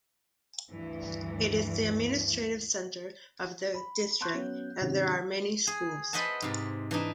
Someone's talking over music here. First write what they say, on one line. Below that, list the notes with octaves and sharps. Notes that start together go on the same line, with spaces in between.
It is the administrative centre of the district and there are many schools.
D2 G2 E3
B5
A5 C6 C#6 F#6 G6
F#3 B3 C#4
G#1 C3 D#3 C#4
G#4
B4 C5 D#5 E5 F#5 A5
G#2 C3
E3 D4 D#4